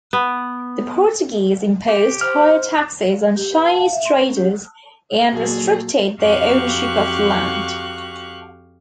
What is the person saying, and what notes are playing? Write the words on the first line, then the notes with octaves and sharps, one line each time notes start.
The Portuguese imposed higher taxes on Chinese traders and restricted their ownership of land.
B3
G4
C5 F6
G4
B4
A5
F5
E5
C6
C#4
G4
A#2 F#3 A#3 F#4 G#4 A4
F2 F#4 G4 F5 C#6 F#6